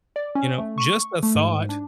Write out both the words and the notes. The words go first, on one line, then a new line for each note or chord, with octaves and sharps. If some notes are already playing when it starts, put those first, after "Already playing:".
You know, just a thought."
D5
C#4
A3
C#6
A3
G#2
D4